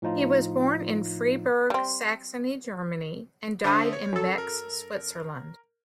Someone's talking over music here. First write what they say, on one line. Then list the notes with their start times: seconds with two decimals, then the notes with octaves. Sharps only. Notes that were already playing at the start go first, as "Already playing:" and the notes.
He was born in Freiberg, Saxony, Germany and died in Bex, Switzerland.
0.02 A2 F3 D#4 F4
1.70 G3 C4
3.64 D3 D4 C5 E5 D#6
3.93 C#5
4.13 F#2 A4
4.38 A#4